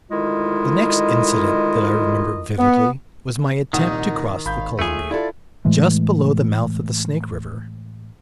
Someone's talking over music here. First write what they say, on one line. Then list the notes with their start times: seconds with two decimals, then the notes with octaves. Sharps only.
The next incident that I remember vividly was my attempt to cross the Columbia, just below the mouth of the Snake River.
0.11 D2 D#3 G#3 E4 F4 D#5
2.58 B3
3.73 C2 A#2 D#3 D#4 F#5 D#6
4.46 G#1 F5 B5 G6
4.79 D#2 A3 F4 G#4
5.11 E4 F4 A4 D5
5.65 A2 E3 G#3 A3